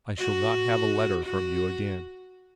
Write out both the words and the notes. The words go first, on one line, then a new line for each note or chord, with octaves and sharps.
"I shall not have a letter from you again."
F#4
F#4